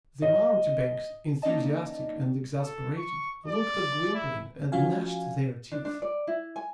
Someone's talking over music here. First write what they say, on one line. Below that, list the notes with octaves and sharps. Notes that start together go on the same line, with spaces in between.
The mountebanks, enthusiastic and exasperated, looked at Gwynplaine and gnashed their teeth.
D#5
A#3 C#4 D#4 D5 D#5 A5
A4
C#6
D5
E4
F3 C#4 F#4 F5 G#5
D4
D4
D5
E4
G#5